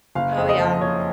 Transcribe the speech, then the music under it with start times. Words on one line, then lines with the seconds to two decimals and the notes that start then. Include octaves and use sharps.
Oh, yeah.
0.15 F#1 F5
0.37 F2
0.49 D#5
0.60 F3
0.81 F#1 C#5